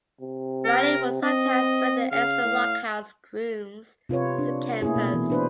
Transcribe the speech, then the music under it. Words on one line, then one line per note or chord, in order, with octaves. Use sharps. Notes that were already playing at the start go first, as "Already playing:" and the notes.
Riley would sometimes rent the extra lock house rooms to campers.
C3
A#4
C4 D#5
C#3 F5
A2
C3 F4 B4 C#5
D4
A3 A#3 C#4 E4 G#4
B2
E3
D4 B4 C5